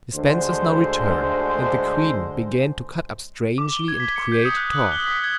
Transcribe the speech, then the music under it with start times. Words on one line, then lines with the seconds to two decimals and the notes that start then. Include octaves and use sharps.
The Spencers now returned, and the queen began to cut up strangely and create talk.
0.15 D2 D3 G#3 C5
3.58 D6
3.72 G7
3.88 G#6
4.00 B6
4.16 C#7
4.32 G6
4.45 D#6
4.57 F#6
4.73 F#7
4.92 G7
5.06 B6
5.24 G#6